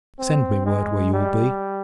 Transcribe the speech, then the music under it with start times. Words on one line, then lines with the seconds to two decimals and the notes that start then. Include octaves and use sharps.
Send me word where you will be.
0.19 C4
0.66 G#3
1.13 G3